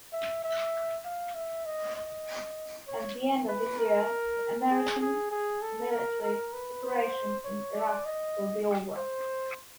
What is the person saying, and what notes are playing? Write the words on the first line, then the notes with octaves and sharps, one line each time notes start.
At the end of this year, the American military operation in Iraq will be over.
E5
E5
F5
E5
D#5
D#5
C#5
B4
A#4
G#4
G#4
G#4
A4
A#4
A#4
B4
C5
C#5
D5
D#5
C5